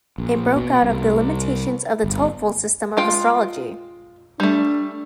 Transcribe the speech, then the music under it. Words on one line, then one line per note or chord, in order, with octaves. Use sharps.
It broke out of the limitations of the twelvefold system of astrology.
A#1
B2
C2
G1
G#3 F4 G5
G3 A3 D4